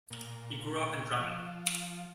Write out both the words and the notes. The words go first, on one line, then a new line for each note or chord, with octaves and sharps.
He grew up in Drammen.
A#2
F3